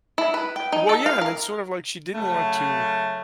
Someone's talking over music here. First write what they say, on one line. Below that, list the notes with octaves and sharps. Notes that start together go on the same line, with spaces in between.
Well, yeah. And then sort of like she didn't want to
E4
B4
G5
D#4
A4
F5
A#4
C#3 F#3 A3